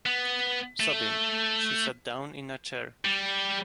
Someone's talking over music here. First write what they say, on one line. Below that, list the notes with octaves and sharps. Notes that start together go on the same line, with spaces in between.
Sobbing, she sat down in a chair.
B3
A3
G3